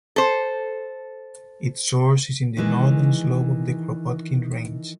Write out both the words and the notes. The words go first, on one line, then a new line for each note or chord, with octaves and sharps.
Its source is in the northern slope of the Kropotkin Range.
A4 C5
D#3 E3 G#3